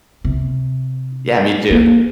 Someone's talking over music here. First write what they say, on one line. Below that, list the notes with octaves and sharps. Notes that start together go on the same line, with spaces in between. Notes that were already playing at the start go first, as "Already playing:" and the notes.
Yeah, me too.
C3
A#3